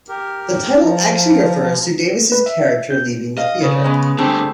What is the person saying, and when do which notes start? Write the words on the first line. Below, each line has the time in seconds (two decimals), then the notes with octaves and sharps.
The title actually refers to Davis's character leaving the theater.
0.08 G4 A#4
0.81 F3 A#5
2.32 B4
2.46 E5
2.90 G6
3.37 D#5 F5
3.62 C#3
3.84 G#3 B3
4.18 D3 G3 A3 C4 G#4